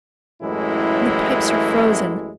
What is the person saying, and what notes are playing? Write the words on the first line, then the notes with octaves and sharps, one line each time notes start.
The pipes are frozen.
A1 F#2 A2 E3 G#3 E4